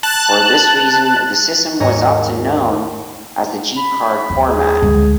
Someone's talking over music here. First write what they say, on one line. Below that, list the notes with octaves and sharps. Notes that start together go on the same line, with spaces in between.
For this reason, the system was often known as the "G-card format".
A5 F#6
G#1 D#2 G#2 C#5 G#5 A#5
B5
D#2 A#3
G#4
D2 G#3